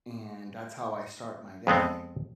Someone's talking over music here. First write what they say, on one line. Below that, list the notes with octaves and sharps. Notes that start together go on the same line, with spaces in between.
and that's how I start my day.
F2 G#3 B3 C4